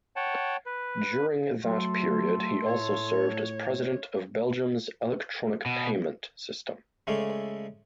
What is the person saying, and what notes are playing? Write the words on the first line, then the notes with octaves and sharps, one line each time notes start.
During that period, he also served as President of Belgium's Electronic Payment System.
C#5 F#5 G5 A5
B4
F#3 A3 C6
A2 C#5
B2
C#3 G#3 A3 A4 D5 F5